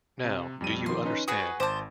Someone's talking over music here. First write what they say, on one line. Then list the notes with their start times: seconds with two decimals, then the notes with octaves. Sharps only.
Now, do you understand?
0.24 C3
0.61 F2 G3 D#7
0.86 D#3 F3 C6
1.05 C#4 D#4 B4
1.28 F#4 G#4 B4 D#6
1.60 G#1 C5 A5 D6